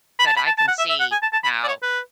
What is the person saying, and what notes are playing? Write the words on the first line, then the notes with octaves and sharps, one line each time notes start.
But I can see how
B5
A5
B5
A5
A5
F#5
E5
E5
F#5
G#5
A5
A5
B5
D5
C#5
B4